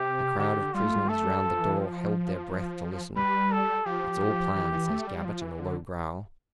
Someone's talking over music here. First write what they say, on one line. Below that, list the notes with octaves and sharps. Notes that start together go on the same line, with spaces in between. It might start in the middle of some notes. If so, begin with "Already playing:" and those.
The crowd of prisoners round the door held their breath to listen. "It's all planned," says Gabbett, in a low growl.
Already playing: C3 G4
D3 G4
G3 F4
A3
G3
A3 A4
G3
F3
E3
F3
G3 B4
A4
F3 G4
E3
E3
A3
G3
F3
E3
D3